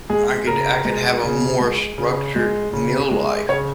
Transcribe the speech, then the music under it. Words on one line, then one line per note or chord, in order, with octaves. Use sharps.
I could I could have a more structured meal life.
G#3 G#4
C#3 A#4
G#3
C#3
G#3
C#3
G#3
C#3
G#3
C#3 C#5